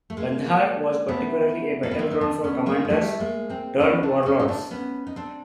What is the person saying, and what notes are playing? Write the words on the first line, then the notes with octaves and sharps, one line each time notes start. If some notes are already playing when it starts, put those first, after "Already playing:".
Kandahar was particularly a battleground for commanders turned warlords.
A3
G#3 A#3
A3 B3
A#3
B3
A#3 C4
D#4
C4 D4
B3 C#4
G#3 A#3
A#3
G3 A3
G#3 A#3
A#3 C4
B3 C#4
C4 D4
C#4 D#4
D#4
C4 D4
B3 C#4
D#4
C4 D4